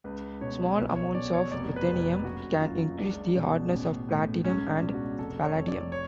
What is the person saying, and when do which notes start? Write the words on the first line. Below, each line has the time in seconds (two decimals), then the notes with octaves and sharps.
Small amounts of ruthenium can increase the hardness of platinum and palladium.
0.04 C#2 B4
0.41 B2 C#5
0.78 B1 B4
0.96 C#5
1.15 B2 D5
1.34 C#5
1.51 F1 D5
1.76 B4
1.88 F2
2.00 B4
2.25 F#1 F#4
2.61 F#2 F4
2.98 C#2 D4
3.35 B2
3.71 A1
4.09 A2
4.44 C#2 C#4
4.69 D4
4.82 B2
4.94 F#4
5.18 F1 A4
5.42 C#5
5.55 F2
5.68 D5
5.92 C#5